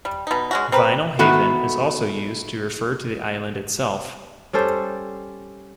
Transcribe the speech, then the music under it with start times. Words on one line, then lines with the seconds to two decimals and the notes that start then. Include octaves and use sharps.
Vinalhaven is also used to refer to the Island itself.
0.05 G3
0.27 B2 D#4
0.51 G#3 C#4 F#4
0.72 C4 A#4 B4
1.19 D#3 A3 B3 F#4
4.53 G3 C#4 A4 C5